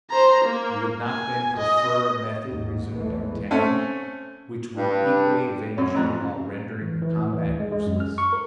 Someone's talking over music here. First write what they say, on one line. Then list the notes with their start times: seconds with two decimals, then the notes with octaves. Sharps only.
"You would not, then, prefer a method," resumed d'Artagnan, "which would equally avenge you while rendering the combat useless?"
0.11 C5 A#5
0.45 A#3
1.04 G#5
1.57 D#5
2.47 D#2 G#2
2.91 A#1 E2 E3 G#3 A3
3.51 A3 C4 C#4
4.76 G2
5.77 F#2 C#5
5.94 A1 F2 F3 C4 A#5 F#6
6.20 C#3
6.82 E3
7.02 E3
7.17 A2
7.33 E3
7.46 D2
7.60 G#3
7.72 G#3
7.87 F#2
8.00 F6
8.18 C#6
8.33 A#4